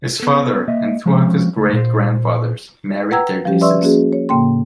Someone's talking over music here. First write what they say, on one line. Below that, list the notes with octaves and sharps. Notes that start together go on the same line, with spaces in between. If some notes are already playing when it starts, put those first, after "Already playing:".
His father and two of his great-grandfathers married their nieces.
B3 A4
A#3 D#5 E5
F3 G#3 C4 C#4
C#2 A3
A#2 C5
B4 F#5 G5 A#5 E6 G#6
F3 G3 C#4 G4
B4 D5 E5 C6 C#6 E6
A#3 C#4 F#4 G#4
C#5
A2 C#3 A#3 G5 C6